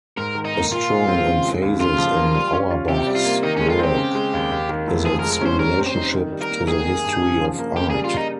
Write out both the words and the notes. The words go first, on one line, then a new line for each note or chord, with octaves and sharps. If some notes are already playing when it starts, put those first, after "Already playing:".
A strong emphasis in Auerbach's work is its relationship to the history of art.
G#2 A#4
D#3
D#4
A#3
A#2 F4
G#3
C4
C#3
G#3
D#2
C#3 F4
F3
A#3
G3
C#4
F4
C3 G4
G3
F4
A#3
D#3 D#4
G#3 C#4
F4
C4 G4
C#3
G#3
D#2
D#2
D#3
F1
F3 G#4
A#4
G#3
A#4
C#4 C5
G3 A#4
C4
C5
D#4
D#3
G3
A#4
A#3
D#3 G#4
A#3
G2
C#3
F3
A#3
C#3 G4
G3 G#4
F4
A#3 D#4